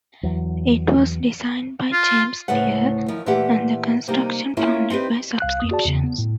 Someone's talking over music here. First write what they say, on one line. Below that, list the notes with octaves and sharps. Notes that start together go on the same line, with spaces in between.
It was designed by James Steer, and the construction funded by subscriptions.
E2 F#3
F4
D2 A2 C#3 A3 B4 F#5
D#3 F3 E4
A#2 E3 A3 G4 E5 F#5
C3 G3 A#3 D#4
A#3 C#4 E4 F4 E5
C4 D#4 G4 B4
C2 F5 F#6
F2 A#3 D#6
F#4 G#4 D5 A5
E2 C#3
B3
A2